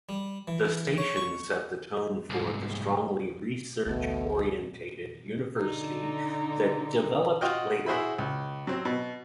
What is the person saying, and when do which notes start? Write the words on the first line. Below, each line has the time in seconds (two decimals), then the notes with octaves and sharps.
The station set the tone for the strongly research-oriented university that developed later.
0.09 G3
0.48 E3
0.98 C#5
1.17 C#6
2.30 C2 G#2
3.86 D1 A1 D2 B2 A3
5.57 D3 D#4
7.41 F4 F#4 D#5 G5 F6
7.86 E4 F#4 G#4 C5 E5 B5
8.18 C#2
8.67 F#3 C4
8.85 B2